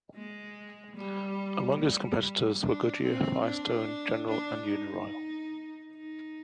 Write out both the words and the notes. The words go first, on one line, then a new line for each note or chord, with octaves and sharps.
Among its competitors were Goodyear, Firestone, General and Uniroyal.
G#3
G3
G3
D4
C4
D4
D4
D#4
D#4